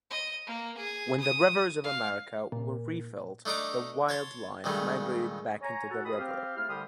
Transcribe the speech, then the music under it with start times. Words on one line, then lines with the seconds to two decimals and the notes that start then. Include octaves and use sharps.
When the Rivers of America were refilled, the wildlife migrated back into the river.
0.10 D#5
0.47 A#3
0.77 G#4
1.20 D#6
1.84 F5
2.52 A#2
3.46 A3 D4 D#4 A#5 D6
4.09 C#5 A5 C6
4.64 C#2 G2 D#3 A3
5.61 C#5 G#5 A#5
5.90 F#4 A4 F#5
6.05 D#3 G#4 B5 D#6
6.17 C4 G4 F5
6.56 G#2 A3 E4 F6
6.68 C2 D3 G3 G4 C6 D#6